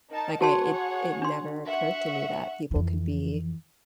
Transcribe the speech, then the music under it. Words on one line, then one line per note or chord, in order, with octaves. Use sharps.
Like, I it it never occurred to me that people could be
D#4 A#4 A5
F#4 G#4 C#5 F#5 A5 C6
D4 C6
E5 F#5 C#6
F2 E3